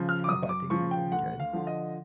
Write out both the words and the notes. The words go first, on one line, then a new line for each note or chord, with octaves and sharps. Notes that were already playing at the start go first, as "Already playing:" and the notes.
so I think you're doing good,
Already playing: C#3 F3
F6
D6
F#2 D#6
D6
C#3 F3 C#6
G5
D2 F#5
F5
D3 F3
D#5